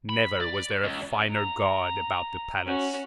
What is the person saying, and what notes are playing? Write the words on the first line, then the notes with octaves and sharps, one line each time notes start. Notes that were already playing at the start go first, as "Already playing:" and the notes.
Never was there a finer guard about the palace.
B5
D5
C#2
A#5
C#4 F#4